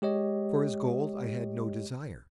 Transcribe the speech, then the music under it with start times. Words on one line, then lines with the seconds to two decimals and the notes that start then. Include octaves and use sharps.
For his gold I had no desire.
0.02 G#3 G4 C#5 D#5